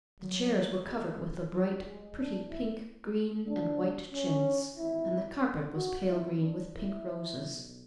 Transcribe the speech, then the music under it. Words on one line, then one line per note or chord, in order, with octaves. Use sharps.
The chairs were covered with a bright, pretty pink, green, and white chintz, and the carpet was pale green with pink roses.
F#3
G#1 F#2 E3 G#3
F#3
G#3
B1 A2 E3 D4
E4
D2 D3 D4
C#4
G#1 G#2 E3 E4
F#4
G#1 F#2 E3 E4
D4
E4
B1 B2